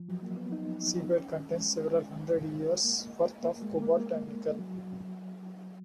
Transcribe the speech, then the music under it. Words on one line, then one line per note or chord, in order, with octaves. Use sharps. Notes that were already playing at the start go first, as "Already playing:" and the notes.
Seabed contains "several hundred years' worth of cobalt and nickel".
Already playing: F3
F#3
A#3
B3
D#4
C#4
G#3
A#3
A#3
G#3
A#3
A#3
F#3